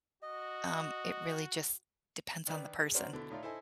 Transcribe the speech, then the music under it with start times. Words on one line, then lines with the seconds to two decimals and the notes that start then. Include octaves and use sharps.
um, it really just depends on the person.
0.22 F#4 D#5
2.47 D#3 D4 B4
2.80 G#3
2.94 C#4 D4 F#4 A#4 C5 D5
3.13 B2 D3 A3 E4
3.31 A2 D#4 F4 D5
3.43 E4 A4 C5 D#5 G#5